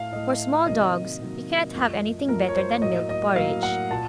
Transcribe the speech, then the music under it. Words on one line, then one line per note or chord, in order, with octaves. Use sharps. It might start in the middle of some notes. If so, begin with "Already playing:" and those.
For small dogs you cannot have anything better than milk porridge.
Already playing: A2 A3 F5
A2 A3 D#5
C3 D#3 F#3 A#3 D#5
C3 D#3 F#3 A#3
F#2 F3 A3
F#2 F3 A3 A#4
C#5
C5
C#5
A2 F#3 A#3 D#5
D#5
A2 F#3 A#3 F5
F#5
A#2 A5